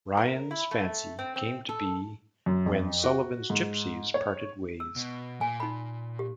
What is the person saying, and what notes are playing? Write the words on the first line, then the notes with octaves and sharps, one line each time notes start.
Ryan's Fancy came to be when Sullivan's Gypsies parted ways.
A#4
E4
A3
C4
C4
A4
F#2
F2
F#4
G#2
C#5
E6
B2
A#2 G#5
D#4 B5
G4